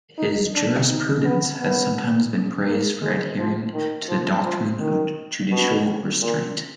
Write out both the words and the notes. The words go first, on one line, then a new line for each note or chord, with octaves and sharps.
His jurisprudence has sometimes been praised for adhering to the doctrine of judicial restraint.
D#4
D4
D#4
B3
B3
A#3
G#3
F3
D#3
F3
F3
D#3
B2
A#2